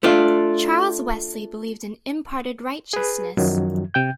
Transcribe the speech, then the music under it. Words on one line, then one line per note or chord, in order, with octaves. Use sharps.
Charles Wesley believed in imparted righteousness.
A3 D4 F4
G#4 B4
F#2 D#3 F3 F#3
C3 G5 G6